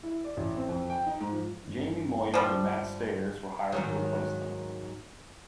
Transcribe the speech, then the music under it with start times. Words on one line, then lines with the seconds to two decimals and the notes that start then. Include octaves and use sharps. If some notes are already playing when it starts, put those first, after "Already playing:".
Jamie Moyer and Matt Stairs were hired to replace them.
0.03 E4
0.24 D5
0.37 A1
0.56 C4
0.68 F2
0.90 G5
1.07 D#4
1.20 G#2
1.33 F3
1.67 G1
2.34 F3 G3
3.72 G#2 D#3 F#3